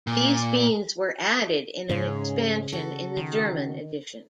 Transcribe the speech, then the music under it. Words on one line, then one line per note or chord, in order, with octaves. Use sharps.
These beans were added in an expansion in the German edition.
A#2
G#2 C#3 G#3 C#4 G#4
F#4 A4
D#3